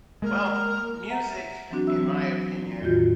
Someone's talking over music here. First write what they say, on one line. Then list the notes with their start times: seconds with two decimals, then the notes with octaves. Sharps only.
Well, music, in my opinion,
0.22 G#3 A#3 A#4
1.10 E5 F#5 A#5
1.71 E3 F#3 C4 D4 F#4
1.87 F#3 E5 E6
2.81 E2 A2 D#3 F4 F#4 G6